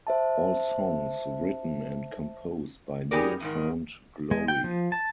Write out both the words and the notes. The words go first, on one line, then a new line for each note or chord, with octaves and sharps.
All songs written and composed by New Found Glory.
C5 E5 A5
B3 D#4 G4 G#4 A#4 D5
E2 G#2 D#3
G#3
G5
F3
A5